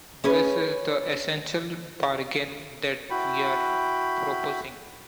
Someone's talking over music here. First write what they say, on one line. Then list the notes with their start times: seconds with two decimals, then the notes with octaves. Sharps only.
This is the essential bargain that we are proposing.
0.24 C#4 G#4 B4
3.10 E4 F#4 G5 B5